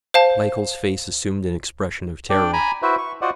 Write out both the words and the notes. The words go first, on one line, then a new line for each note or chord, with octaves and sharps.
Michael's face assumed an expression of terror.
C5 F5 A5
D4 D5 G5
G#5 A#5 B5
E4 F#4 B4 C5 E5
C#6
F4 F#4 C5 D5 D#5 F#5